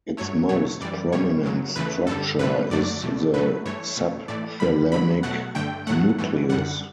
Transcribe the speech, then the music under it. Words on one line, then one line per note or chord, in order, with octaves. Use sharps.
Its most prominent structure is the subthalamic nucleus.
G2 F#3 A3 C#5
B2 F#3 A3 C#5
F#2 E3 G3 D5
B2 G3 C#5
F#2 C#3 F#3
E2 C#3 E3 A3 B4
G2 D3 G3 A4
G2 D3 A3 B4
F#2 D3 F#3 A3 D5
E2 B2 A3
B2 F#3 A3 B4
G2 E3 A3 C#5
B2 A3
A2 E3 A3 D5
E2 D3 G3 B5
E2 D3 F#3 B5
B2 F#3 A3 F#5
G2 D3 A3 G5
A2 F#3 A3 F#5
G2 E3 A3
F#2 D3 G3 F#5